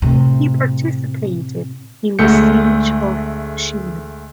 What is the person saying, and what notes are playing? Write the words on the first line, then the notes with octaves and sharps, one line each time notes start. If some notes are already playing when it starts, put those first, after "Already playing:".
He participated in the Siege of Fushimi.
A2 C3
D2 G#3 A3 G6 C#7